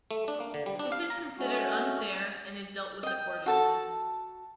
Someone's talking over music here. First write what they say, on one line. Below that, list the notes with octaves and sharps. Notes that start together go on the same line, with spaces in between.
This is considered unfair and is dealt with accordingly.
A3
D4
A#3
D3
G3
D4
F5
A#5
G#3 A3 C#4 F#4
D#5 G5
F#4 A4 A5